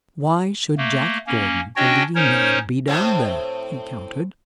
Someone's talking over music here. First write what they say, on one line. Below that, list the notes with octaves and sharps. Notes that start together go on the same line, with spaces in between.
"Why should Jack Gordon, the leading man, be down there?" he countered.
A3 A#3
A#3 C#4
C#4 D4 F#4 C#5 D#5 G5
C#4 D#4 A#4 C5 C#5
A2 C4